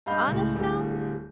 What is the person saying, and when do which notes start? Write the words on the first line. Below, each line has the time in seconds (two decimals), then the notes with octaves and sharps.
"Honest, now?"
0.06 G2 D#5 F5 B5 G6
0.28 C#2 A2
0.55 D1 D2 G3 G#4